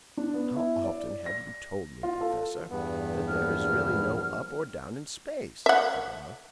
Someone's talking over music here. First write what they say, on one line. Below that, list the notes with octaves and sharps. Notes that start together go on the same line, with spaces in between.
"How often have you told me, Professor, that there is really no up or down in space?" said the monk.
D4
B3
E4
D5
A#6
F4
A4
E2 G2 B3
A#1 F6
E5 F#5